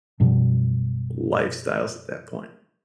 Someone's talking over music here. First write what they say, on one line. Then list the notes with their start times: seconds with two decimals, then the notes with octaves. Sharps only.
lifestyles at that point.
0.20 F#2 B2 F3 G3